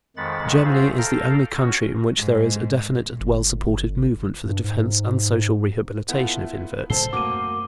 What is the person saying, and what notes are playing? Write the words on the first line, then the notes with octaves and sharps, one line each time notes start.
Germany is the only country in which there is a definite and well-supported movement for the defense and social rehabilitation of inverts.
F2 D#3 G#3 F#5 B5 A6
F4 F#4 G#4 C5 E5 F5
A4 F5 G5 A#5
C#4 F#4
G#2
G1
G2
G#2
A3 B3 E4 F4 F#5
A2 G#3 A4 C5 A5 C7 G7
F#2 A3 A#3 C4 F#4 D6 D#7